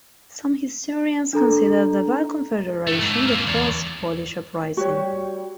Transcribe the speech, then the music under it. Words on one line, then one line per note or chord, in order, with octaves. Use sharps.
Some historians consider the Bar Confederation the first Polish uprising.
D4 A4 A#5
G2 A3
G#2 A3
F2 A#3
E2
G3 F#4 G4 C#5